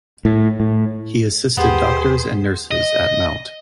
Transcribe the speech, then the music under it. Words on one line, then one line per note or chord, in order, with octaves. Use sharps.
He assisted doctors and nurses at Mt.
A2
A2
D#2 B3 G4 G#4 C5
D#5